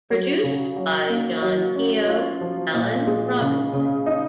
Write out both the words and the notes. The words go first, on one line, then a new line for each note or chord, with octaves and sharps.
Produced by: John Keogh, Alan Robinson.
F#3
C#3
F#3
A#3
F#3
C#4
F4
F3
A#2
G#3
C#3
C#3
D#4